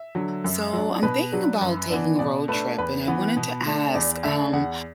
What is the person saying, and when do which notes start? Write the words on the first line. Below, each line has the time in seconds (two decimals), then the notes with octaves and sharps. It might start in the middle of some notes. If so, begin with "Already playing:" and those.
So I'm thinking about taking a road trip and I wanted to ask, um,
Already playing: E5
0.15 D3 F#3
0.44 F#2
0.73 F#3 D4
1.03 B2 B4
1.32 F#3 D4
1.61 F#2
1.90 E3 B3 D4
2.19 B2 D5
2.48 A3 D4 B4
2.78 E2 B4
3.07 E3 B3
3.37 B2
3.66 A3 D4
3.95 E2 D5
4.24 D3 A3 D4 E5
4.53 E2 F#5